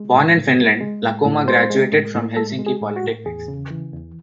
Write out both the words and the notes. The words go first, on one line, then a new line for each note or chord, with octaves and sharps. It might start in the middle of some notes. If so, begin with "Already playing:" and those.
Born in Finland, Lakomaa graduated from Helsinki Polytechnics.
Already playing: G#3
A2
A2
G#3
G#3
A2
A2
G#3 C5
G#3
A2
A2
G#3 A4
G#3
G#4
A2
F#4
A2
E2 G#4
C#3
E3
E2